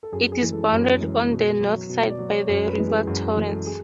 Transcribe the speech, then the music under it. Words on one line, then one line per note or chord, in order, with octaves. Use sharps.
It is bounded on the north side by the River Torrens.
A4
F#2 G#4
G#4
E3 G#3
A4
F#2 C#5
E3 G#3
B2
F#3
B2
D5
F#3
C#5
F#2 C#5
B4
E3 G#3
G#4
F#2 F#4
F#4
E3 G#3
A4
G#4